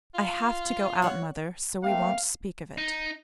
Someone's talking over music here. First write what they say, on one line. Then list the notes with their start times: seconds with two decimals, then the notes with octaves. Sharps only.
'I have to go out, mother, so we won't speak of it.'
0.14 F4
1.02 C#5 F#5
1.83 A3 A#3 C4 F5
2.78 D#4